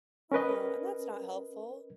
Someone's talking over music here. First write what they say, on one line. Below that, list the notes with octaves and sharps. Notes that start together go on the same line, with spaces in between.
Oh, and that's not helpful.
C#4 A#4 B4 D#5